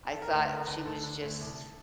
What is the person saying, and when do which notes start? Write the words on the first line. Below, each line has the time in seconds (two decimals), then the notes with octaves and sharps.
I thought she was just
0.12 A4
0.22 A#4
0.31 D2 B4
0.49 D3 A#4
0.67 D3 B4
0.85 D2 A4
1.03 D3
1.22 D2
1.41 C2